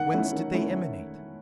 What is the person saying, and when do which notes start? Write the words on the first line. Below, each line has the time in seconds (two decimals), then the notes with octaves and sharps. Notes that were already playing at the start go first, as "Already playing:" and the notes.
Whence did they emanate?
Already playing: D#3 F#5
0.13 A3 C#4 E4
0.33 D#3
0.53 A3 C#4 E4